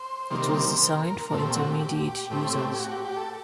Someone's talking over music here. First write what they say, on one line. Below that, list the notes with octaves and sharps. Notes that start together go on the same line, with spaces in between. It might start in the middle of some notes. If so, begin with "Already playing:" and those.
It was designed for intermediate users.
Already playing: C5
C3 D#3 G3 A#3
A#4
A#2 A3 C4 A4
G4
F#4
G4
G4
A2 A3 C4
F#4
G4
G4
A4